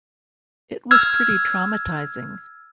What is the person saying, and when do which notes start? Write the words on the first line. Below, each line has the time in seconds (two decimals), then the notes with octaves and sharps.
It was pretty traumatizing.
0.91 E6 F6 G#6